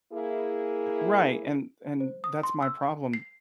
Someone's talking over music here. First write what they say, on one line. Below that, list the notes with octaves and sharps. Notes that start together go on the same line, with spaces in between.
Right, and and that's my problem.
A#3 E4 G#4
C5
D#6
C6
E6
G#5
C7